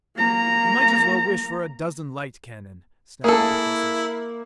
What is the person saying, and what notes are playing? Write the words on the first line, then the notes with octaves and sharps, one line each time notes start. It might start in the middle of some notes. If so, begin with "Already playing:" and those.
"You might as well wish for a dozen light cannon!" snapped the Professor.
A#3 A#5
A#3 E4 G#4 A4